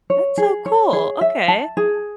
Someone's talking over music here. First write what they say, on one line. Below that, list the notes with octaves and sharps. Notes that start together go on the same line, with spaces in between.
That's so cool, okay.
C#5
G#4
C#5
G#4
E5
A5
G#4